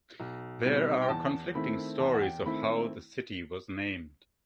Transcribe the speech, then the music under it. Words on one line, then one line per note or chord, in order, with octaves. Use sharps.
There are conflicting stories of how the city was named.
B1
B2 G3 C4 D#4
G5
E2 A5
D#3 A3 C4 E4 B5
E2 A5
F#5
G5
D#3 A3 C4 E4 B5